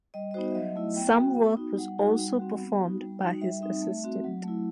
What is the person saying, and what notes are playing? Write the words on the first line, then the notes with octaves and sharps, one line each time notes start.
Some work was also performed by his assistant.
G3 D#5
D#5
B3 D#4 F#4 C5
E5
F#3 D#5
A3 E4
B3 G5
F#4
B3
D#4 F#4
G3 F#5
D#4 F#4
G3
C4 F#4
B3
D#4 F#4
G3
D#4 F#4
G3 E5
C4 D#4 E5
A3
C4 F#4
F#3
A3 E4